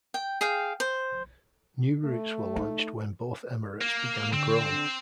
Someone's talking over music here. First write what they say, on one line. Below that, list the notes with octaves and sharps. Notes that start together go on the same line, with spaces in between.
New routes were launched when both Emirates began growing.
G5
G#4 F5 G5
C5
A3
D#4
A#3
D3 C4